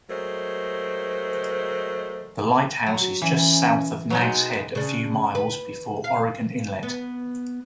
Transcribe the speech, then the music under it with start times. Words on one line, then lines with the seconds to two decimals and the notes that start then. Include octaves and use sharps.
The lighthouse is just south of Nags Head, a few miles before Oregon Inlet.
0.09 F#3 G#3 A3 A#4 C5
2.87 F#3
3.02 F#4
3.22 E3 C#4
4.10 F#3 B3 D#4 B4
4.21 B2 G#3
4.75 C#3 D4
5.35 B4
6.04 F5
6.83 B3